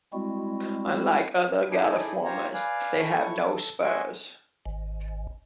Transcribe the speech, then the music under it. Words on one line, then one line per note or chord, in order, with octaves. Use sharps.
Unlike other Galliformes, they have no spurs.
G3 G#3 C4 E4 F#4
D#4 E4 G#4 A4 D5
F4 G4 C5 C#5 A#5
B4 D5 F5 G#5
E4 A4 C#6
A4
D#5 E5 F#5 G#5 C6 C#6
G#1